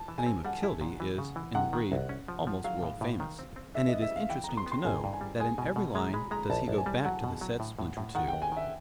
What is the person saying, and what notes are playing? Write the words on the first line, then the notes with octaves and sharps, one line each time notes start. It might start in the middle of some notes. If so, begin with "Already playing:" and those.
The name of Kildee is, in the breed, almost world-famous, and it is interesting to note that in every line does he go back to the said Splinter II.
Already playing: F4 A5
E3
G#5
C4
G3 F#5
E4
A#2
E3
C#3
E3
C3 F#5
D#3
C2
C#4
F3
F3
F#3 F5
A2
A2
D#3
C4
C4
D4 E5
D#5
B3
E5
G3 F5
E3 G5
A#5
B3
C6
B3
C6
G#1 G#5
G2
G#5
G3
G#3 G#5
B2 G#5
B2
G#3 A#5
G#3 B5
G#3 A#5
A#1 A5
A#1
G#5
G3
F#3 F#5
B2
F#3
A2
A2
A2
D#3 F#5
G5
D#2
G#5
D#3 E5